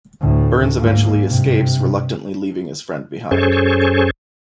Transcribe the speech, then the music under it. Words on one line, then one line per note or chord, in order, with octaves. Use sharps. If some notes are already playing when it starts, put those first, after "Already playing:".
Burns eventually escapes reluctantly leaving his friend behind.
D2 A2
G#2 A#3
G2 C3
F#2 C#4 G#4 A4 C5 C#6